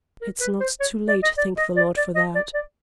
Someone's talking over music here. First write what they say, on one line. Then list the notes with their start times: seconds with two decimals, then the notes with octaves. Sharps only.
It's not too late, thank the Lord for that!
0.22 A#4
0.41 B4
0.60 C5
0.80 C#5
1.09 D5
1.23 D#5
1.38 D5
1.58 D#5
1.77 D5
1.97 D5
2.16 D#5
2.35 D5
2.54 D5